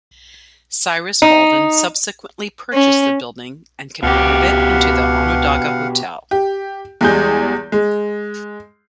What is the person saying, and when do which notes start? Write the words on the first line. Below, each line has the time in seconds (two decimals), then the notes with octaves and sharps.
Cyrus Baldwin subsequently purchased the building and converted it into the "Onondaga Hotel".
1.22 D#4
2.73 C#4
4.03 C#2 B2 G4 F5 F#5
6.31 G4
7.01 E2 G3 G#3 G#4 G6
7.72 G#3